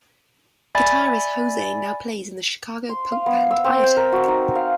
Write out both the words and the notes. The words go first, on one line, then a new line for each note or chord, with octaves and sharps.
Guitarist Jose now plays in the Chicago punk band I Attack.
D5 E5 G#5 B5 A6
C6
F5
B3
E6
C4
G5
A#4
F#4
D#4
F5